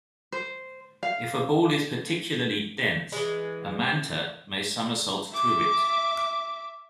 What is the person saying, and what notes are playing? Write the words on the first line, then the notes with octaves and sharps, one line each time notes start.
If a ball is particularly dense, a manta may somersault through it.
C5
F5
E3 G#3
E5 D6